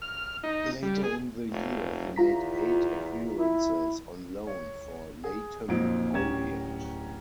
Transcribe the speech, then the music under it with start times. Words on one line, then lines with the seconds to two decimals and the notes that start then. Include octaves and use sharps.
Later in the year, he made eight appearances on loan for Leyton Orient.
0.02 F6
0.43 D#4
0.83 G3
1.03 G#4
1.51 F1
2.16 E2 F4 A#5 B6
3.36 E4
4.47 C#5
5.24 G#4
5.68 F2 A#2 F#3 C4 D#4 D7
6.13 D1 C#4 G4 A#5 G#6 E7